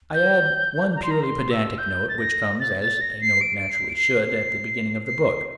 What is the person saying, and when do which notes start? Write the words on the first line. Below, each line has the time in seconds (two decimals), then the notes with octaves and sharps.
I add one purely pedantic note which comes, as a note naturally should, at the beginning of the book.
0.14 G6
0.96 A#5
1.03 C6
1.11 A#5
1.23 C6
1.50 E6
1.78 G6
2.09 A6
2.18 A#6
2.60 A6
2.80 A6
3.01 A#6
3.21 C7
3.41 D7
3.57 D7
3.69 C7
3.89 D7
3.96 C7
4.23 C7
5.06 C7